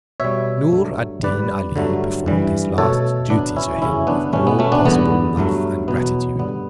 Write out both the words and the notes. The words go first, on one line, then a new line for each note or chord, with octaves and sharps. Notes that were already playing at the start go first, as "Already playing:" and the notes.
Noor ad Deen Ali, performed his last duty to him with all possible love and gratitude.
B2 G3 C#5 E5
G2 D3 F#3 A3
G2 D3 G3 B4 D5
G2 D3 F#3 A3
G2 E3 G3
B2 A3 A4 C#5
A2 F#3 A3 B3 D4
C#4 E4
F#2 C#3 E3 G3 C#4 E4
B3 D4
B2 G3 A3 C#4
B3
A3 C#4
B3 D4
E2 D3 G3 B3
G2 F#3 A3
E2 B2 F#3 B3
G2 D3 G3 B3